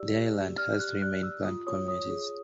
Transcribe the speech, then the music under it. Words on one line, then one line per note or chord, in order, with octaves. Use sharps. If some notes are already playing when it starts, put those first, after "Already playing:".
The island has three main plant communities.
Already playing: G4 D5 E6
G4
G4
D5 F6
G4 F#6
D5 F#6
G4 E6
F4 D#6
C#5 D#6
C#5 D#6
G#4